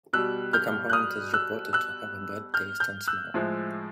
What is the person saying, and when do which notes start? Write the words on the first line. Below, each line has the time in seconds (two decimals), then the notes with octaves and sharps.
The compound is reported to have a bad taste and smell.
0.13 B2 G3 E6 F#6
0.53 F6 G6
0.90 F#6
0.93 D#6 F6
1.34 E6 F#6
1.73 E6 F#6
2.54 F6 G6
2.80 F6 G6
3.08 E6 F#6
3.34 A2 F3 G#3